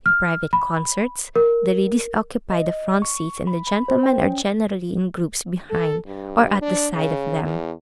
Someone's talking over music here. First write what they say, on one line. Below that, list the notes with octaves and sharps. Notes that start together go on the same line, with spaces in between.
In private concerts, the ladies occupy the front seats, and the gentlemen are generally in groups behind, or at the side of them.
F6
B5
A#4
D#5
C#6
B5
B5
C5
G5
C#4
A4
G2
D4
C#3
E2